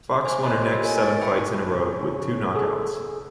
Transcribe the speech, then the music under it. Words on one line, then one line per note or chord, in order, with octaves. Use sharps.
Fox won her next seven fights in a row, with two knockouts.
C5 G#5
C5 C#5 D#5 B5 C6 F#6
A#3 F4 G4
A4 A#4 C#5 D#5 G#5
C#6 A6 D7
B4 C5 E5 G5 B5
C#3
G#4 A4